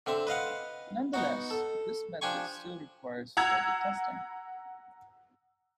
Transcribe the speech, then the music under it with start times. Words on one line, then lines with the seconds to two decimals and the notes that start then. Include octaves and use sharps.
Nonetheless, this method still requires further testing.
0.06 D3 C4 E5
0.27 B4 D#5 F5 F#5
1.14 B3 D#4 F#4
1.50 A4
2.21 F3 D4 G4 G#5 C#6
3.37 F#5 A#5 E6 G#6